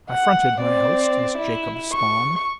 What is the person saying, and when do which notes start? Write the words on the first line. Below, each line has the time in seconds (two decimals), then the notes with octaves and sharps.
I fronted my host, this Jacob Spawn.
0.11 F#5
0.59 C4 D5
1.38 E4
1.93 C#6